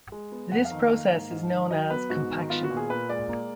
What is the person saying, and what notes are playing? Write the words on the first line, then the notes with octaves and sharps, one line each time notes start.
This process is known as compaction.
G#3
B3
F2 F#5
F5
D#3
A#3 F5
G#2
G#2
D#3
F#3 D#5
B3 B4
G#2 F#4
D#3
B3 F4
F#4
A#2
G#4
A#2 B4
G#3 D5
A#3